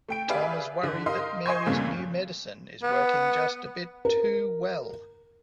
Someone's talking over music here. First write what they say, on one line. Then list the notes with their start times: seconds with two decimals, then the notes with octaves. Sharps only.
Tom is worried that Mary's new medicine is working just a bit too well.
0.09 A3 G5 D7
0.28 G4 G#4 B4 D5 E5 F5
0.83 D3
1.06 G4 A#4 D#5 F5 C6
1.46 C5 D#5 G#5 C6 C#6 G#6
1.66 E2 G2 A#2 C#3 A3 C4
2.83 B3
4.05 A#4